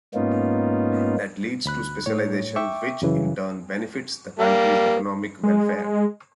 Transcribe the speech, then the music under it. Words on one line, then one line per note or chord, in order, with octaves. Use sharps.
That leads to specialization, which in turn benefits the country's economic welfare.
G#2 A#3 B3 C#4 D#4 F4
D2 B5 F#6
A2 C#5
E5 G5 C#6 D6
F#2 C#3 E3
G3 A#3
G#3